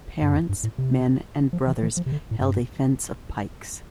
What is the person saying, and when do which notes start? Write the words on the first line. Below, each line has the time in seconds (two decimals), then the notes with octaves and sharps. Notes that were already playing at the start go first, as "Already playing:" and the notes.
Parents, men and brothers held a fence of pikes.
0.22 G2
0.33 F2
0.49 G2
0.63 A2
0.78 C3
1.53 F3
1.67 E3
1.82 E3
1.97 F3
2.06 C3
2.12 D3
2.31 A2
2.40 G2